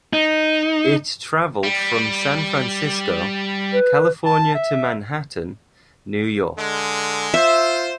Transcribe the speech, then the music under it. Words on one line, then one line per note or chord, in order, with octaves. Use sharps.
It traveled from San Francisco, California to Manhattan, New York.
D#4
G3
B4
A5
E5
D3 G#3
F4 C5 E5